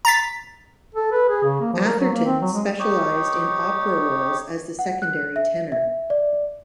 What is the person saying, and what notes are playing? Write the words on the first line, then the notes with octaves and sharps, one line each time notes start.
Atherton specialized in opera roles as the secondary tenor.
A#5 A6 B6
A4
B4
G#4
C#3
A#3
F3
A#4
F#3
A#3
C4
F#3
G#3
D#4 G4 C#5
F#5
F#6
E5
E5
D5